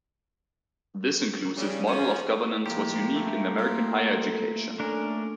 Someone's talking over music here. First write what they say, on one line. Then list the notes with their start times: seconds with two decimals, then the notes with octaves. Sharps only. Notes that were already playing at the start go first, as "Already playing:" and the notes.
This inclusive model of governance was unique in American higher education.
1.56 C#3 G3
1.87 F3 C#4
2.66 A#1 A2 A#3 C4 G4
3.15 A3
3.59 A#2
4.80 C#4 D4 A#4